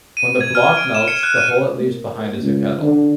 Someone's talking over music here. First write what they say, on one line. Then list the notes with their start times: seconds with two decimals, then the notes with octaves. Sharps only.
When the block melts, the hole it leaves behind is a kettle.
0.17 D#7
0.41 G#6
0.55 F6
0.77 D7
0.95 E7
1.08 C#7
1.23 F#6
1.38 D#7
1.80 A#3
2.41 C#2
2.80 D3